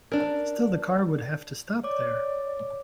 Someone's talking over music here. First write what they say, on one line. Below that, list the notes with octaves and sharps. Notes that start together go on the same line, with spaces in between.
Still the car would have to stop there.
D4 A#4
C#5 D5 D6